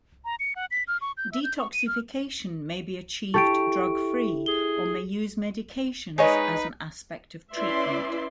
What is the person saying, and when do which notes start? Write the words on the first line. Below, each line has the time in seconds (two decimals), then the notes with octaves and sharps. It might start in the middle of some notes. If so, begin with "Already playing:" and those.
Detoxification may be achieved drug-free or may use medications as an aspect of treatment.
0.25 A#5
0.40 C#7
0.56 F#5
0.71 B6
0.88 F6
1.01 C#6
1.17 G6
1.32 E5
1.44 G6
1.58 C#6
1.73 D#7
1.87 F6
3.34 E4 G4 A4 C#6 D7
4.46 G#4 G7
6.18 G#3 D#4 B4 C#5 D#5
7.54 C#4 E4 B4 D5 E5 C6